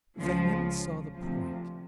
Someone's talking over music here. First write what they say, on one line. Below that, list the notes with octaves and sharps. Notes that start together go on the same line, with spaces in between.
Van Emmon saw the point.
C#2 C#3 F3
D2 C3 F3